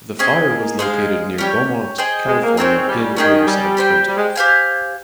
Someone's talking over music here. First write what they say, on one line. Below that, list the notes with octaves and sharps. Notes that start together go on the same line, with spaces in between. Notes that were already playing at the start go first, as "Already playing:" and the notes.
The fire was located near Beaumont, California in Riverside County.
C4 C#4 G#4 D#5 G#5
A#3
G#3 D#4 G#4 C5 F5
G3 C#4 G4 C#5
G#4 C5 D#5 G5
G#3
A#3
A#3 C4 D#4 G#4 C#5
G3
D#3 C#4 G#4 D#5 G5
G3
G4 C5 G5
G3
G#3
G4 C5 F5 G#5